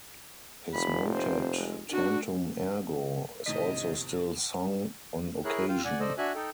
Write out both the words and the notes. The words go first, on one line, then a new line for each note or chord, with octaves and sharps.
His motet "Tantum ergo" is also still sung on occasion.
F1 B5
C4 C5
G#3
D4 F#4
E2 A2 C3 D#3 D#5 B6
E4 G#4 A#4 C#5 F#6
F4 F5 G5
D5 F#5 G#5
A4 C5 D5 D#5
D4 F#4 E5 G#5 F#6
D#4 A4 G5